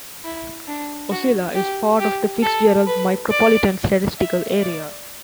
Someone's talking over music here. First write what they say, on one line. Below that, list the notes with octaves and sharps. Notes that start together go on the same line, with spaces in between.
Ocilla is part of the Fitzgerald Micropolitan Statistical Area.
E4
D4
F#4
G4
G4
A4
B4
D5
E5
D5